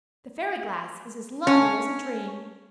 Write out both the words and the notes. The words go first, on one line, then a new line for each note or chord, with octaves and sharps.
The fairy glass is as lovely as a dream.
C#4